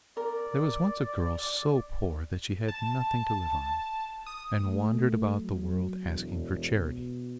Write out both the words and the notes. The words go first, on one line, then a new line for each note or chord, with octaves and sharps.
There was once a girl so poor that she had nothing to live on, and wandered about the world asking for charity.
A#4 D5
A5
D#6
A3
F#3
E1
B2